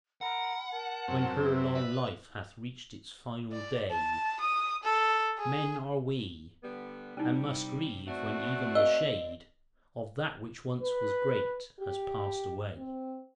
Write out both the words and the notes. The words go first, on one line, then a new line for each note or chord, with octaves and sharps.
When her long life hath reach'd its final day: Men are we, and must grieve when even the shade Of that which once was great has pass'd away.
A#4 F#5 B5
A#4 A5
F#2 C4
B4 E5
B4 D5
D5
A5
D#6
A4
G#4
D3 G3 B3
C3 G3 C#4 D#4 E4
B2 A3 C4 F#4 D5
A#4 D#5 F5 E6
B4
G4
C4